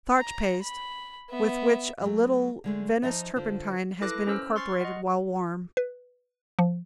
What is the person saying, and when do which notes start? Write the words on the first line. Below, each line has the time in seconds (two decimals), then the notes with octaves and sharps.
Starch paste, with which a little Venice turpentine has been incorporated while warm.
0.19 A#5
0.63 B5
1.30 B3 E5
2.02 F#3 A3
2.64 D3 G#3 A3
3.03 F3 D#4 D#5 E5
3.36 D3 F4 C5
4.01 E4 A4 B4 D6 F#6 A#6
4.27 C#4 C5 E6 F6
4.56 C6 C#6 F6 A6 C7
4.81 D#5 F#5
5.77 B4
6.59 F3